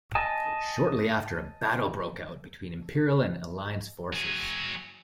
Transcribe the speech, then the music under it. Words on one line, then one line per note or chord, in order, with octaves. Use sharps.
Shortly after, a battle broke out between Imperial and Alliance forces.
D#5 G#5 A5
F#3 G#4